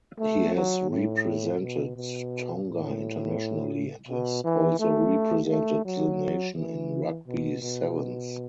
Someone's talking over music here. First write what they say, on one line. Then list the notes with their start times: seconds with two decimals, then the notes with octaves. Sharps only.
He has represented Tonga internationally and has also represented the nation in Rugby sevens.
0.19 A3
0.55 F#3
0.90 A2
1.61 B2
1.96 B2
2.67 A2
4.08 B2
4.44 E3
4.80 A3
5.49 A3
5.85 F#3
6.55 E3
7.27 B2
7.62 B2